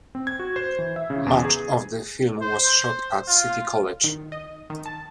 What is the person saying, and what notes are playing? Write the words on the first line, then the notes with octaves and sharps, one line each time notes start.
Much of the film was shot at City College.
C4
G#6
F#4
C5
E3
E5
C#3
E2
G#4
C5
F4
D#3
D#5
D#3
A5